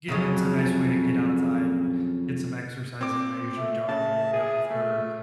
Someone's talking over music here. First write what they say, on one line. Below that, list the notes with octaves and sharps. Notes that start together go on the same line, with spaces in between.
getting into a nice way to get outside and get some exercise and I usually jog a little bit with her,
F2 C#3 F#3
C4 D6
A3 E5
C#3 A5
G#4
A3